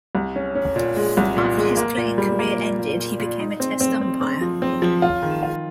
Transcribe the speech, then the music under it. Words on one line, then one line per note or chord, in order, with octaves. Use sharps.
After his playing career ended, he became a Test umpire.
C2
C#4
C#4
A#2
G#3
C2
A#2
G#3
A#3
A#2
G3
A#3
A#2
A#2
A#2
A#2
D#4
C4
C4
C4
C4
F3
C4
F3
F4
D#3
F4